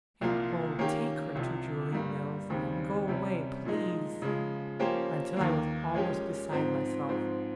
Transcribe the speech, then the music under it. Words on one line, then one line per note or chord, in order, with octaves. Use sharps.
And oh, take her to Julia Mills, and go away, please! until I was almost beside myself.
C2 A#2 F3 A#3 F4
D#3 A#3 C#4 G4
C2 C3 F3
G2 G3 A#3
D#2 C#3 G3 C4
C3 G3 C#4
A#2 F3 G#3 D#4
C#3 F3 G#3
F3 A#3 C#4 G4 C5
D#2 D#3 A#3
A#2 G#3 C#4 G4
G#2 F3 C4
G#2 F3 C4